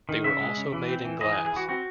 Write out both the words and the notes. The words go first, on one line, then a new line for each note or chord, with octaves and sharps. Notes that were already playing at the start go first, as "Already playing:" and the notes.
They were also made in glass.
D#3
C#3 E5
G#3
C#3
E3
C4
E3
E3 D#5
G#4
E3
G#4
E3 F#4
C4 F#4